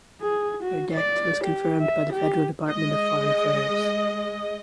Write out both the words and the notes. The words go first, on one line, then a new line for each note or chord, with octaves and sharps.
Her death was confirmed by the Federal Department of Foreign Affairs.
G#4
F#4
D5
G4
E5
G4
G#3 D#5